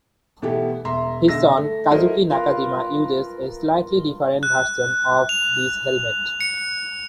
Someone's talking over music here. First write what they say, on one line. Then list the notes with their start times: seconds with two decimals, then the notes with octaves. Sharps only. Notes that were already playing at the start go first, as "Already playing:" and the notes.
His son Kazuki Nakajima uses a slightly different version of this helmet.
0.42 B2 E3 A3 B3 G4
0.85 E1 E5 A#5 C6
1.28 B1 D3 E5 E6 A#6
1.57 A3
1.90 F#3 A3 E4 A#4 C5 D#5
2.30 F4 A#4 B4 F5
4.43 F#6
5.29 F7
6.41 C#7